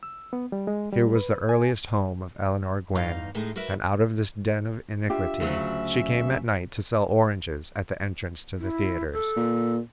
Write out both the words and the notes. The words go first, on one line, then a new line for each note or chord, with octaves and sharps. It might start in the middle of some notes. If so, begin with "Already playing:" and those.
Here was the earliest home of Eleanor Gwyn, and out of this den of iniquity she came at night to sell oranges at the entrance to the theaters.
E6
B3
G3
G#3
G3
B4
G#5
E2 G2 D#4 F5
A2 G#3 A3 D#4 G#4
F#4 A#4 B4 E5
D4 F4 G4 E5
D2 C#3 F#3
E4
A4
A#2